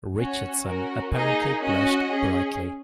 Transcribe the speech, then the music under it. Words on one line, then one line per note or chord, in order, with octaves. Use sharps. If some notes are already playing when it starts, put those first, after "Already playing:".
Richardson apparently blushed brightly.
C#4 F#4 C#5
C#4 F#4 A#4
A#3 D#4 G#4 D#5
C#4 F#4 D#5
C#4 G#4